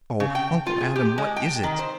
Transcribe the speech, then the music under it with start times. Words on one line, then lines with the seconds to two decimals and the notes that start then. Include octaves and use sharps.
"Oh, Uncle Adam, what is it?"
0.20 C#3
0.35 G5
0.67 F4
0.81 G#4
0.96 G4
1.18 G#3
1.36 G5
1.64 D#3
1.79 C5